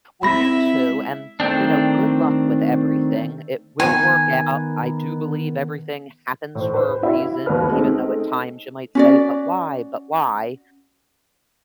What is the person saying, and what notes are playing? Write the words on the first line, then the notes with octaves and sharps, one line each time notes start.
Well, you too, and you know, good luck with everything, it will work out. I do believe everything happens for a reason, even though at times you might say, "But why? But why?"
G#3 C4 E4 E5 B5 A#6
D#3 A3 C4 D4
D#3 B3 G#5
A2 C5
B4 C5
E4 F#4 E5
G1 D#2 A#3 F#4 B4 F6
G#3 A3 C4 C#4 D#4 A4
C#4 F#4 D5